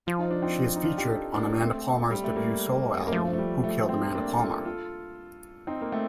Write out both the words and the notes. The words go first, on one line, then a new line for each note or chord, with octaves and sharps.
She is featured on Amanda Palmer's debut solo album, "Who Killed Amanda Palmer".
F3 F4
D#4
D4
C4 D#4
D#4
D4 F4
G4
F4 A4
A#3 D4
A3 C4
G3
A3
G3 A#3
A#3
F3 A3
A3
G3
A3
A3 C4
A#3 D4
F4 A4
F4 A4
C4 D#4
A#3
A3 C4